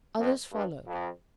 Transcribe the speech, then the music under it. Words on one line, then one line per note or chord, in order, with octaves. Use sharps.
Others followed.
F2
G2
F2